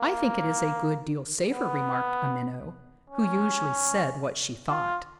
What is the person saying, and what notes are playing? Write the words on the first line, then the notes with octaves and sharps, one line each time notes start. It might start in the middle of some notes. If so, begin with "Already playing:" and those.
"I think it is a good deal safer," remarked a Minnow, who usually said what she thought.
Already playing: A#3
B3
C#4
F4